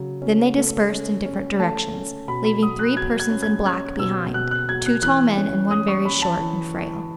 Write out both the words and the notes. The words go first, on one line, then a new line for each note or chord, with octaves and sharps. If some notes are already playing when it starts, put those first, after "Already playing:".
Then they dispersed in different directions, leaving three persons in black behind, two tall men and one very short and frail.
Already playing: C#3 F#3
C#4
A3
C#4
C#4
A3 A5
C#4
B2 B5
B5
F#3 D#6
F#6
F#3 G#6
G#6
C#4
G#6
C#4 G#6
B2 E6
B2 F#6
F#6
F#3 G#6
F#6
E3 F#6
C#4
C#4 D#6
C#6
C#4 B5
A5
E3
E3